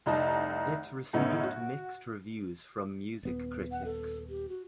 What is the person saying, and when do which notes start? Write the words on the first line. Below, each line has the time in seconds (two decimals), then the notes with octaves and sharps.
It received mixed reviews from music critics.
0.06 F1 C2 D#4 D#5 A5
1.13 F#2 A2 C#3 B3 D#4
1.43 F#4
3.23 D#1 B3
3.71 F#5
3.85 A4
4.30 G4
4.49 F#4